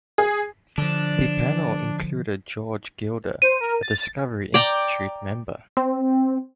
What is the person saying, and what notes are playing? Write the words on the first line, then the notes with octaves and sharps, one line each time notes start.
The panel included George Gilder, a Discovery Institute member.
G#4
D3 F3 D4
C5 D#7
A#4
A6
D5 G5 A#5
C4